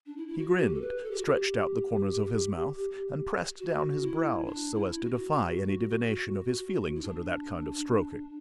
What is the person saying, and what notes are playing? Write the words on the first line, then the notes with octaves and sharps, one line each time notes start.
He grinned, stretched out the corners of his mouth, and pressed down his brows, so as to defy any divination of his feelings under that kind of stroking.
D4
E4
E4
F#4
G4
A4
B4
A4
G4
F#4
G4
F#4
E4
D4
E4
F#4
E4
D4